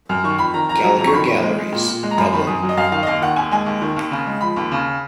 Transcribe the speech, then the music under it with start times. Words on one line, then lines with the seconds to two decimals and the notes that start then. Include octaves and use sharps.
Gallagher Galleries, Dublin.
0.09 F#2 F6
0.24 D#3 C#6
0.38 F2 B5
0.54 D#3 A#5
0.69 F2 A#5
0.83 F#3 A#5
0.98 F2 A#5
1.07 C#6
1.13 D#3 B5
1.28 A#2
1.43 G#3
1.58 G#3
1.73 A#2
1.88 A#2
2.03 G#3
2.11 A#5
2.17 F#2 B5
2.32 D#3 B5
2.47 F#2 D#6
2.63 F#3
2.69 D#5
2.77 F#2 F5
2.92 D#3 F5
3.03 D#5
3.07 D#2 F5
3.22 D#3 F#5
3.36 D#2 G#5
3.51 G#3 G#5
3.66 D#2
3.82 D#3
3.96 D#2
4.11 C#3
4.27 G#3
4.41 F3 B5
4.56 D#2
4.72 C#3